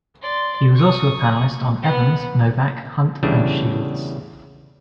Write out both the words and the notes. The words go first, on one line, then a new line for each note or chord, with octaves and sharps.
He was also a panelist on Evans, Novak, Hunt, and Shields.
D5 C6
C#6 D#6
B3 F#5
E2 C#3 E3 G3 A3 D4